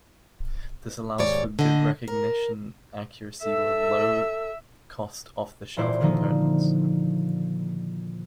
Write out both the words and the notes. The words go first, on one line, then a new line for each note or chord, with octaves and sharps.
This allows for good recognition accuracy with low cost off-the-shelf components.
D#2 G#2 C#5 D5
D3 D#5
A#4
A4 E5
E1 A#2 E4 C5 D5 G6
D3 D#3 F3 A#3 D#4